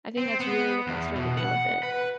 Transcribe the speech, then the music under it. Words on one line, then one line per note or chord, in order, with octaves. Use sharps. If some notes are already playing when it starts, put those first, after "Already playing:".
I think that's really the best way to deal with it.
C4
B3
E2
B2
F#5
B4